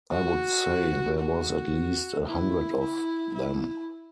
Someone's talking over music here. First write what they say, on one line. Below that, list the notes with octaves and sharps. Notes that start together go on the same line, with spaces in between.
I would say there was at least a hundred of them.
F#4
F#4
E4
E4
E4